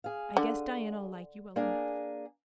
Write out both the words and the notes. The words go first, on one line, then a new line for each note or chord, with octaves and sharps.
I guess Diana'll like you well enough.
G#4 F5
D3
A#3 D4 G#4